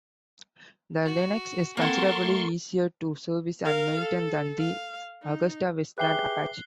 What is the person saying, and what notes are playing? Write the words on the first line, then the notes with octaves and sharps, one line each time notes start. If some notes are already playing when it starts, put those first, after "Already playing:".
The Lynx is considerably easier to service and maintain than the AgustaWestland Apache.
F#4
A#3 C4 A4 A#4 F#5 C6 C#6
A3
A#4 F5
A4
F5
D#4
G4 G#4 B4 E5 G5 F#6 C7 G7